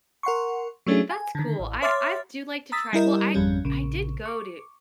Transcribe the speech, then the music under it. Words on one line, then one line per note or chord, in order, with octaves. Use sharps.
That's cool, I I've do like to try well, I I did go to
A#4 F#5 C6 C#6
F#3 A3 C#4 D4 E4 G#4
G#5
D3 D#3
A1
C#5 E5 C6 D6 F6 A6
A#5 D#6 E6 A6 B6
G3 E4 A#4 D#5
G#1 F2 G3 C#4
A#1 C#3
C#6 D6